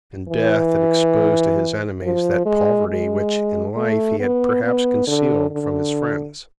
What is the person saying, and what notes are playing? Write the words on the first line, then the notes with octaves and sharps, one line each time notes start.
In death it exposed to his enemies that poverty which in life he had perhaps concealed from his friends.
E3
F3
G#3
G#3
A3
B3
B3
D3
D3